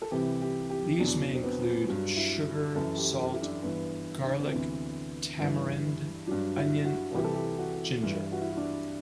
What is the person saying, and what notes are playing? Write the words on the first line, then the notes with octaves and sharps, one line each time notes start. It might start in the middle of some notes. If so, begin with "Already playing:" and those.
These may include sugar, salt, garlic, tamarind, onion or ginger.
A4
C2 C3 E3 G4
G4
G4
E2 B2 F#3 D4
C4
B3
G2 F#3
E4
F#2 E3 A4
G4
G4
E4
D4
G2 E3 B3
D4
C4
D2 C3 E3 B3
G2 E3
G2 F#3 D4
E4
F#4
C2 C3 E3 G4
A4
G4
F#4
G2 E3 E4
F#4
E4
F#4
D4
E4